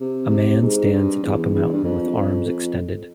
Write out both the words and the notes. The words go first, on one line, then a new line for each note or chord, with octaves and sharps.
A man stands atop a mountain with arms extended.
C3
C3
G#2
G2
E2
E2
G2
F2
F2
F2